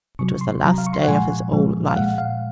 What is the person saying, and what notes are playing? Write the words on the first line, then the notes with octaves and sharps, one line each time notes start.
It was the last day of his old life.
C3 F#3 C#6
C6
C3 F#3 A#5
F5
C#6
C6
F#5
A#2 F3 G#3 G#5
A#2 F3 G#3
F5
A#2 G#3 F#5
F5